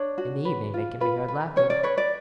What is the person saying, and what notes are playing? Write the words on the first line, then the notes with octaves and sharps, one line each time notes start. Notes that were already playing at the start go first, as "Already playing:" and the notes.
In the evening they can be heard laughing.
Already playing: D4 C#5
F#4
B4
F4
F4 B4
B4
C#4 C#5
D5
B4 C#5
D5